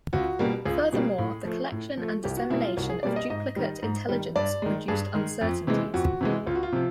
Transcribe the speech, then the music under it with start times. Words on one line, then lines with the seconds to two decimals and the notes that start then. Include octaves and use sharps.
Furthermore, the collection and dissemination of duplicate intelligence produced uncertainties.
0.13 C#2 F#4
0.39 B2 G3 A#3
0.65 C#2 G#4
0.93 B2 G3 A#3
1.18 A2
1.45 F3 A3
1.72 A2
1.97 F3 A3
2.24 C2 G4
2.37 F#4
2.50 B2 G3 A#3 E4
2.64 F4
2.77 C2 F#4
2.90 G#4
3.03 B2 G3 A#3 D5
3.16 D#5
3.30 G#2 D#5
3.56 D#3 G3
3.82 G#2
4.09 D#3 G3
4.36 G2 D5
4.62 D#3 G#3
4.88 G2 G#4
5.15 D#3 G#3
5.41 F2
5.67 C3 E3 G#3
5.94 F2 F#4
6.21 C3 E3 G#3
6.47 C#2 F4
6.55 F#4
6.63 F4
6.73 C3 F3